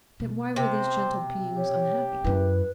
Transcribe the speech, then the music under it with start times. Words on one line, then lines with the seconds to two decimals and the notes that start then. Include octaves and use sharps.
Yet why were these gentle beings unhappy?
0.20 B2
0.56 C3 C5
1.57 G4 C#5
2.24 F#2 E4 B4